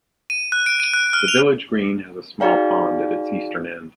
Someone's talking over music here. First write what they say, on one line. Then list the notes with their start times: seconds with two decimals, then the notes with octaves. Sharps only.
The village green has a small pond at its eastern end.
0.30 D#7
0.52 F#6
0.66 D7
0.80 D#7
0.94 F#6
1.13 F6
1.28 F7
2.40 D#4 F#4 G#4 D5 F5 G5